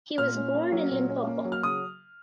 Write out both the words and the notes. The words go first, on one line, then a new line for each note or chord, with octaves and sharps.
He was born in Limpopo.
A#2 F6
C#4
A#3
F#3
A#2
C#4
A#3
F#3
F6
C#3 D#6